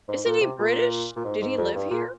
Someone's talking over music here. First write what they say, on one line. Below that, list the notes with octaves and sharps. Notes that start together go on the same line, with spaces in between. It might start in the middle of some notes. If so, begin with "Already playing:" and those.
Isn't he British? Did he live here?
G#2
A#2
C3
A#2
A#2
G#2
G#2
F2
G2
A#2